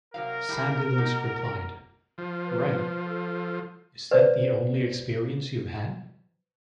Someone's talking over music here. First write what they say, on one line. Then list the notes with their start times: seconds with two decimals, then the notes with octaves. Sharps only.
Sandilands replied: Right... is that the only experience you've had?
0.14 C3 F#3 A#4 F5
0.49 A2 G3 A3
0.98 A#3 D#4 F#4
2.18 F3
2.46 B4
3.05 A4
4.11 B4 C5 D5